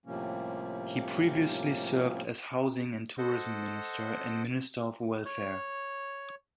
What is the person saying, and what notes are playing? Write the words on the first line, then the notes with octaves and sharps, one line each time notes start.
He previously served as housing and tourism minister and minister of welfare.
A2 C3 F3 G3 A#3 C#4
A4 C5 D#5 F#5
C#5